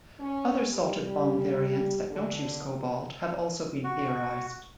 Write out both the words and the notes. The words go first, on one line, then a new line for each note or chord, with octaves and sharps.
Other salted bomb variants that don't use cobalt have also been theorized.
C#4
G3
D3
F#4